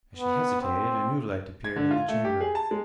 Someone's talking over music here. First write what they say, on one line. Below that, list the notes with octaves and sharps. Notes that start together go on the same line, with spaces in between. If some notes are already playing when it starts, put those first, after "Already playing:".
As she hesitated a new light appeared in the chamber.
B3
C4
G#6
D3
F4
A3
G4
G#4
A5
G#3